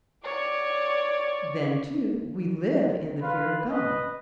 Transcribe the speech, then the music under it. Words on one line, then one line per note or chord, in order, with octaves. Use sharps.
Then, too, we live in the fear of God.
C#5 D5
F4 B4 F5
B4 D#5